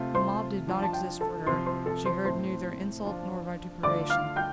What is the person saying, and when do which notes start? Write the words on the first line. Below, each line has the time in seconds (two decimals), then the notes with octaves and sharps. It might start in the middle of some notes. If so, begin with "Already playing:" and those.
The mob did not exist for her; she heard neither insult nor vituperation.
Already playing: C3 A3 C4 F4
0.15 C5 C6
0.67 F3 D4 F4
0.82 A5
0.93 G5
1.21 A4 A5
1.47 C3 F3 C4 C5 C6
1.66 C5 C6
1.86 A4 A5
2.05 C5 C6
2.25 A2 A3 C4 C5 C6
3.05 F3 D4 F4
3.83 D3 A3 F4 D5 D6
4.10 F5 F6
4.36 G5 G6